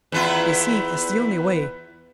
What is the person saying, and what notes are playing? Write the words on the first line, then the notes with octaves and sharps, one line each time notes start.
You see it's the only way.
E2 E4 F4